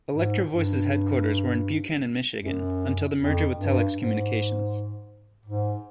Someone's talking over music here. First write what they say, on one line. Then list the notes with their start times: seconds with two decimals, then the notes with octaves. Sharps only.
Electro-Voice's headquarters were in Buchanan, Michigan until the merger with Telex Communications.
0.13 G#2
0.51 G2
2.42 F#2
3.18 F2
3.56 G2
3.94 G#2
5.46 G#2